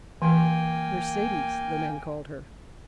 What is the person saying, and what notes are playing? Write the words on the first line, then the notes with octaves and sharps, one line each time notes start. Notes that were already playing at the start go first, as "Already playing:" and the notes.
"Mercedes" the men called her.
E3 A#3 G5 G#5